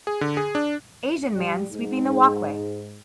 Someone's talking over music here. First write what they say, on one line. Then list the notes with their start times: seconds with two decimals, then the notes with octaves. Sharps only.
Asian man sweeping the walkway.
0.07 G#4
0.21 D3
0.37 G#4
0.55 D4
1.35 G3
1.71 G#2